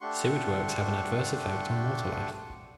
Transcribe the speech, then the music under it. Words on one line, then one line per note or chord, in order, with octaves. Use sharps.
Sewage works have an adverse effect on water life.
A3 D4 G4 F#5 C6 C#6